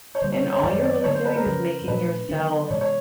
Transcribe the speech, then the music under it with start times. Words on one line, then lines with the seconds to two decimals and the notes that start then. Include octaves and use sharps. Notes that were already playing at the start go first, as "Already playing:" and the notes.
and all you're really doing is making yourself
0.15 C#5
0.21 D3 G3 A#3 C5
0.32 C#5
0.42 C5
0.53 C#5
0.63 F#2 D#3 F#3 D5
0.78 C#5
0.84 D5
1.00 D5
1.04 G2 D3 F#3 C#5
1.14 C5
1.25 B4
1.35 A#4
1.46 F2 C#3 F3
1.87 A#2 F3 A3 D4 B4
2.29 D3 F#3 B3 D4
2.64 D5
2.70 C3 E3 G#3 B3 C#5
2.81 C#5